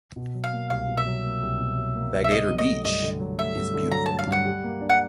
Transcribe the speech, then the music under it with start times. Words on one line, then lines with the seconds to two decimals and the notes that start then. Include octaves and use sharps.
Vagator beach is beautiful.
0.16 B2
0.35 F#3
0.44 F5
0.52 A#3
0.70 C2 F5
0.88 B2
0.97 E5
1.06 F#3
1.24 A#3
1.42 C2
1.60 B2
1.77 F#3
1.95 A#3
2.13 C2
2.24 E5
2.31 D3 D#5
2.49 F#3
2.58 D#5
2.67 A3
2.84 G2 D#5
3.02 D3
3.20 F#3
3.38 A3 E5
3.55 G2
3.74 D3
3.92 F#3 A#5
4.06 A3 A5
4.19 F5
4.27 G2 F#5
4.45 G3
4.64 A#3
4.81 D4
4.90 F#5